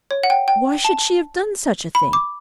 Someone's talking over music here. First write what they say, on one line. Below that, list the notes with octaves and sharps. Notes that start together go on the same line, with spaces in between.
Why should she have done such a thing?
C#5
F#5
G5
G5
A5
B5
D6